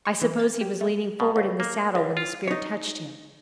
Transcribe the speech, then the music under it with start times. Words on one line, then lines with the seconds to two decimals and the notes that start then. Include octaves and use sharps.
I suppose he was leaning forward in the saddle when the spear touched him.
0.05 C#6
0.22 E3
0.39 A6
0.61 G4
0.81 A3
1.20 B2
1.36 C#2
1.60 A#3
1.95 C#2
2.17 F4
2.48 D#4 C#5